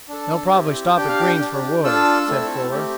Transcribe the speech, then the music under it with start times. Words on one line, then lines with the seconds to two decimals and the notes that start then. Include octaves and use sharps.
"They'll probably stop at Green's for wood," said Fuller.
0.09 D4 A4
0.52 C4 E4 G4
0.96 D4 G4 G5
1.08 F5
1.20 G5
1.40 D4 G4
1.83 D4 F4 A4 E6
2.28 A3 C4 E4 A4
2.71 A3 C4 G4